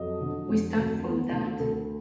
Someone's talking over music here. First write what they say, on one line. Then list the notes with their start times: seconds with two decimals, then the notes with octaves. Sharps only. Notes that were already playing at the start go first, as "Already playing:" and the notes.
We start from that.
Already playing: F2 F#3 D#5
0.21 D3
0.49 F2
0.77 D2
1.04 B3
1.32 D2
1.60 D2 A4